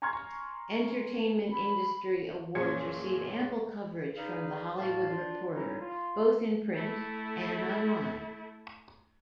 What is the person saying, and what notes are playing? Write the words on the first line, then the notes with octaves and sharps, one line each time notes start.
Entertainment-industry awards receive ample coverage from "The Hollywood Reporter", both in print and online.
G#5 A#5 C6 C#6 F6 G#6
B5
F#1 A#2 C#4 G#4 G#6 C#7
D4 D#4 G#4 B4 F5
F2 A2 A3 F5 A5
D4 F4
F#3 G3 C#4 D#4 E4
F4
A3 E4